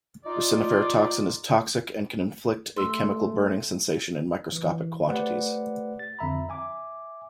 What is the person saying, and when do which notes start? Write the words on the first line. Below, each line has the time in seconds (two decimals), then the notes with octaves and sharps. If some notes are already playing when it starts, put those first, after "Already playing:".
Resiniferatoxin is toxic and can inflict a chemical burning sensation in microscopic quantities.
0.25 D#4 F4 D5
2.77 A3 C6 E6
4.52 E3
5.08 A3 G4 B4 C5 D5 F#5
5.99 A6
6.19 F2 D3 E5 A#5 B5
6.49 E5 G#5 D6